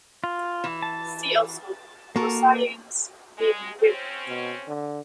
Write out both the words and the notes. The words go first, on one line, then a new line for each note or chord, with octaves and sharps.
See also: Gaussian beam width.
F4
E3
A5
A#3 F#4 A4 A#4
G#3
C4 C#4
B2
D3